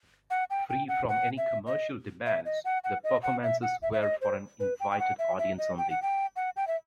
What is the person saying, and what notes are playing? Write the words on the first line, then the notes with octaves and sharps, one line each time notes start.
Free from any commercial demands, their performances were for an invited audience only.
F#5
G5
G5
F#5
F#5
E5
D#5
E5
D#5
F#5
F#5
D#5
F#5
E5
F#5
E5
E5
D#5
C5
B4
G5
G5
F#5
E5
E5
D#5
G5
F#5
G5
F#5
G5
E5